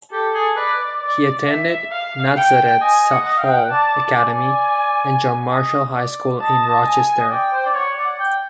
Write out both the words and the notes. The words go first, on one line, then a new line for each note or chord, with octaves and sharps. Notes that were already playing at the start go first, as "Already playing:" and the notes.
He attended Nazareth Hall Academy and John Marshall High School in Rochester.
G4 A4
G#4
B4 D5
D5
E5
F5
G5
D#5 G#5
D#5
F#5
D#5
F5 G5
F#5
D5 A5
D5
D5 G#5
D5
D#5
D5
D#5 A5
G#5
D#5
D5 G5
C5
D5
C#5 F#5
D5
G5